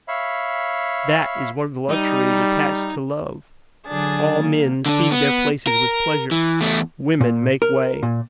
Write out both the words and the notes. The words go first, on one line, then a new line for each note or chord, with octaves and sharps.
That is one of the luxuries attached to love; all men cede their places with pleasure; women make way.
C#5 E5 F5 B5
G3 D#4
D3 F#3 D4 G#4 A6
A#3
D3 D4
B3
A#4
E3
E2 A3
A#2
A#4
A#2